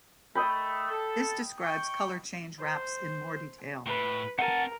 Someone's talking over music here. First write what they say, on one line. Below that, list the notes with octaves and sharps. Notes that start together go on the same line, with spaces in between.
This describes Color Change Wraps in more detail.
A3 D#5 G5 B5
A4
G5 C#6
C5
A2 B4
C4 A#4 F#5 G#5 A5